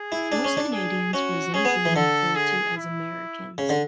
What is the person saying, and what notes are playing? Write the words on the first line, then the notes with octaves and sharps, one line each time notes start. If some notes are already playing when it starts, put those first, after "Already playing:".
Most Canadians resent being referred to as "Americans".
Already playing: G#4
E4
D4
C#4
D4
G#4
C#4 F#4
C#4 G#4
B3
E3
D3 A4
G#4
E4
C#3
D3